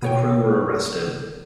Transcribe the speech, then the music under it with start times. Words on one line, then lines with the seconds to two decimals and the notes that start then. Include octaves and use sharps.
The crew were arrested.
0.02 B2 C#5 G5